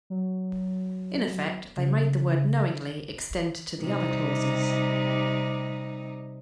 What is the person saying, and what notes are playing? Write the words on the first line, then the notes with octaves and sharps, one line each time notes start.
In effect, they made the word "knowingly" extend to the other clauses.
F#3
C#3
C3 G3 D#4